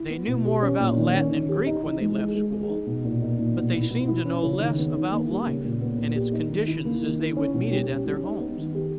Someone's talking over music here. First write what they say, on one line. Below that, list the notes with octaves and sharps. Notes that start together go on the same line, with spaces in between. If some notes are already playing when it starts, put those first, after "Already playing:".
They knew more about Latin and Greek when they left school, but they seemed to know less about life and its conditions as they would meet it at their homes.
Already playing: E4
B3
B2
G4
C#4
A#2
D#3
C#4
D#3
G4
D#4
E3
G#3
G#4
G#3
G#4
D#4
B2
A#2
D#4
A#2
B2
E4
B2
E4
C#4
C#3
D#3
B3
D#3
A#3
G3
C#3
A#2
B3
A#2
G4
D#4
D#3
E4
A#3
D#3
E4
C#4
B2
G3
C#4
G3
D#4
B3
D#3
G4